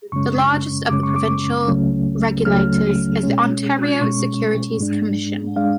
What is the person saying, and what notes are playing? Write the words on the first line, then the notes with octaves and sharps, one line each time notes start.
The largest of the provincial regulators is the Ontario Securities Commission.
F#2 C#3 G#3 C#4 C#6
F#2 C#3 G#3 C#4 D6
C#6
D6
C#2 C#3 F#3 A3 C#4
C#2 C#3 F#3 A3 C#4 F6
B2 G#3 C#4
B2 G#3 C#4 C#6
G#2 G#3 D4
G#3 D4 F5